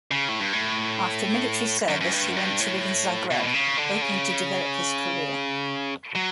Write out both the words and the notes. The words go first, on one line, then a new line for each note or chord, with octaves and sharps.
After military service he went to live in Zagreb, hoping to develop his career.
C#3
A2
G2
A2
F#2
F#2
G2
F#2
G2
A2
B2
A2
B2
C#3
D3
C#3
F#3